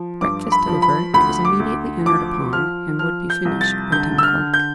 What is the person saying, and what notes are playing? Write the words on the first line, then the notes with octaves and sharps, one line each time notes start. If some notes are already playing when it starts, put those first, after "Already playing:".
Breakfast over, it was immediately entered upon, and would be finished by ten o'clock.
Already playing: F3
G2 D6
B5
F3
B5
D2 B5
D6
D2
F3 D6
F3 F6
F3 F6
G6
C2
A6
D3 G6
E6
F6
D3
G6